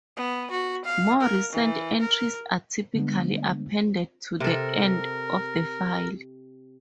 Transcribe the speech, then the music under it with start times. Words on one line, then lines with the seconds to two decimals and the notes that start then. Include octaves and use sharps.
More recent entries are typically appended to the end of the file.
0.17 B3
0.51 F#4
0.85 F5
1.21 A#4
1.53 E3
2.01 A#4
2.95 D3 G3 G#3 A#3 B3 D4
4.40 C3 A4 A#4